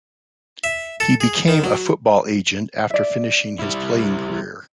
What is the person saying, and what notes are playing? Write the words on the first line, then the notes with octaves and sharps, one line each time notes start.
He became a football agent after finishing his playing career.
E5
A4
G#4
D#3
F#3
D5 E5
G3 E4